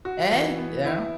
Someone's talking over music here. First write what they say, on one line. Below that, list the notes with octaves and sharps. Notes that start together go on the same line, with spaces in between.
Hey, yeah.
F#4
E3
B3
E4